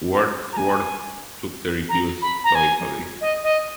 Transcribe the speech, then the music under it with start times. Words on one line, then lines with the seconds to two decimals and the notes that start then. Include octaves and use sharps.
Wordsworth took the reviews stoically.
0.53 A#5
0.57 G#5
1.89 A#5
2.22 B5
2.44 A#5
2.55 G#5
3.21 D#5
3.43 D#5